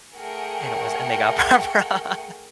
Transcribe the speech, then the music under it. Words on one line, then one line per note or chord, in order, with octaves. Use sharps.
and it was and they got Pop Rocks!
A3 G#4 A#4 F#5 G5 C#7